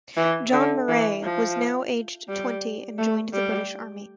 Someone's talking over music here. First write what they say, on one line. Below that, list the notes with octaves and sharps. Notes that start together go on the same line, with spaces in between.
John Murray was now aged twenty and joined the British Army.
E3
D3
E3
F3
G3
A3
G3